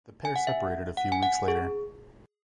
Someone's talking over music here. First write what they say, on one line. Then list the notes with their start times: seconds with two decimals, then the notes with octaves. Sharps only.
The pair separated a few weeks later.
0.25 G#5
0.36 F#5
0.47 E5
0.97 F#5
1.12 G#5
1.23 F#5
1.48 G#4